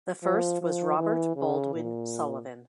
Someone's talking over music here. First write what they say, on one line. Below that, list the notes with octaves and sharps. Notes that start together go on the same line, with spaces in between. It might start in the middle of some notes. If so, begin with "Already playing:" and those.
The first was Robert Baldwin Sullivan.
F3
F3
E3
C#3
A#2